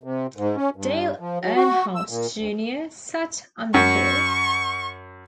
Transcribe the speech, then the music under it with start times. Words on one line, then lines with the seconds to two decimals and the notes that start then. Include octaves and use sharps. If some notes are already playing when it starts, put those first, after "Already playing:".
Dale Earnhardt, Junior sat on the pole.
0.04 C3
0.37 G#2
0.56 C#4
0.76 G2
1.20 F3
1.42 F#3
1.56 F#4
1.95 E6
2.09 A#2
2.37 D2
3.74 F#2 C#6